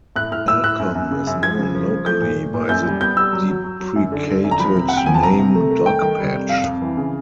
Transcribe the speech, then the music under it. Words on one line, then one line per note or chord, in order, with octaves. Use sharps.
Malcolm is known locally by the deprecated name Dogpatch.
A2 F#6
A2 F6
A2 E6
A2 F#6
F#2
F#2
C#3
F#2
F3 G#6
C#3
F3
F3
A3 G6
A#2
A3
A#2
F#2 G6
G3
B3 G6
G3 E6
F#3
F#3
F#3
F#3
F#2
D3
D3
F#2
A#5
F3 B5
C3
C3 F#5
G5
F3 G#5
A5
C3 A#5
C3
A3
A3
D#3 G5
D#3
G3
C3
F2 F5
F2
E3
C#3